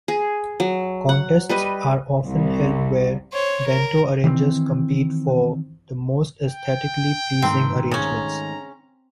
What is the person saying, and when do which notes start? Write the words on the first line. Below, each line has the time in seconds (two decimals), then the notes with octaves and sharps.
Contests are often held where bento arrangers compete for the most aesthetically pleasing arrangements.
0.08 G#4
0.60 F#3
1.09 F#5
1.49 G3 B4 D#5
2.25 C2
3.33 C5 C#5
3.67 A#4
4.24 D#3 E3 A#3 C4
6.44 G5
7.42 G#2 D#3 A3 C4
7.91 C#3 C#4 A#5